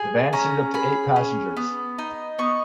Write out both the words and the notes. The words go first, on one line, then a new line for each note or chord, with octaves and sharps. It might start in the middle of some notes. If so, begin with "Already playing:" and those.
The van seated up to eight passengers.
Already playing: G#4 G#5
C#4 A#5
G#4 B5
C#4
B3
D#4
B3 C#6